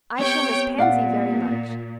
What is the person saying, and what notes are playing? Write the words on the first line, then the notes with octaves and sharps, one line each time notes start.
"I shall miss Pansy very much."
B3 C4 G4 C#5 G5
A#2 D5 F5 F#5